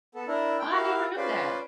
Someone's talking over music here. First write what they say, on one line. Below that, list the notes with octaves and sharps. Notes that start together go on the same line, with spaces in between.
I never knew that.
B3 A4
D4 E4 A#4
G5
E4 G4 A#4 F5
C#4 F4 B4 C5 D5